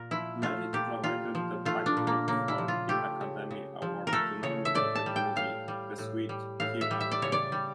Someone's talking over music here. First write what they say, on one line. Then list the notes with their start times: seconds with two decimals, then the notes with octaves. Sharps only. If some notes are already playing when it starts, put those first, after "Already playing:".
Merritt provided the backdrop for the Academy Award-nominated movie "The Sweet Hereafter".
Already playing: A#2 A#4
0.11 F3 E4
0.42 A3 F4
0.73 A#2 G4
1.04 A#2 F4
1.35 F3
1.65 A3 F4
1.86 D4
1.97 A#2
2.07 A#3
2.28 C#3 A#3
2.48 E4
2.58 F3
2.68 F4
2.89 A3 G4
3.21 C#3
3.51 C#3
3.82 F3
4.07 A#4
4.13 A3 A4
4.43 C#3 C#5
4.65 E5
4.75 A2 D5
4.95 A5
5.06 G3
5.16 G5
5.36 A2 F5
5.68 G3
5.98 A2
6.29 G3
6.60 A2 F5
6.81 E5
6.91 G3
7.01 E5
7.11 D5
7.22 C#3 C#5
7.32 D5
7.52 G3